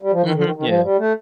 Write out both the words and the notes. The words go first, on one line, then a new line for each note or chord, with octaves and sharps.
Mhm, yeah.
G3
F3
D#3
D3
D#3
D#3
F3
G3
A3